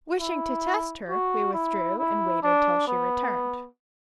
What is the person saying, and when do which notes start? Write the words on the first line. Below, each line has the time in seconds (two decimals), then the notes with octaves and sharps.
Wishing to test her, we withdrew and waited till she returned.
0.20 E4
1.09 F#4
1.54 E4
1.98 E4
2.43 D4
2.88 B3